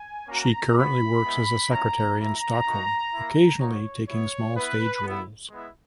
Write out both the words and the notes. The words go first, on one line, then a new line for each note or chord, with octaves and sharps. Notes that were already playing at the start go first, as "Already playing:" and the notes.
She currently works as a secretary in Stockholm, occasionally taking small stage roles.
Already playing: G#5
A#3 C#4 F#4 A#5
B3 F#4 B5
G#3 B3 E4
G#3 C#4 E4 A#5
A#3 E4 A#5
A#3 D#4 F#4
A#3 E4
A#3 D#4 F#4 C#5
B3 E4 C#5
B3 E4 B4
B3
E4
G#3 B3 E4